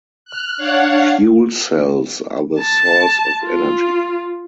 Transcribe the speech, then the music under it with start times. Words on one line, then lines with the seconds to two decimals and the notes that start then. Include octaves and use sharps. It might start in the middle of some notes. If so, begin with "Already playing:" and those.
Fuel cells are the source of energy.
0.25 F6 F#6
0.57 D4 C#5 F5 F#5
2.59 A5
3.43 F4